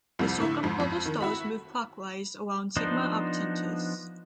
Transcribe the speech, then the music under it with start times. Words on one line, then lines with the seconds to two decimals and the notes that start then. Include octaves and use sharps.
The circumpolar stars move clockwise around Sigma Octantis.
0.19 C2 F2 C3 G3
0.38 A2 D3 E4
0.63 F2 G#2
0.80 F2
1.05 D#3
1.21 E4 F#4 B5
2.77 F3 B3 D4 D#4 C5